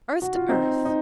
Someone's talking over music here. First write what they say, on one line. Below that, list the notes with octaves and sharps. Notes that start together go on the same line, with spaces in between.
Earth to earth!
F#4
F4
C4 D#4
D#4